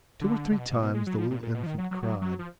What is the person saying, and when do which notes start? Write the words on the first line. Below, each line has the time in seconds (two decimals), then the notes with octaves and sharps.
Two or three times the little infant cried.
0.21 D3
0.51 D3
0.58 B2
0.70 G#2
0.82 B2
0.94 G#3
1.07 F#3
1.18 F3
1.30 A#2
1.42 A#2
1.54 B2
1.63 F3
1.66 D#3
1.78 F#3
1.91 F#3
2.02 F#3
2.22 F#3
2.39 F3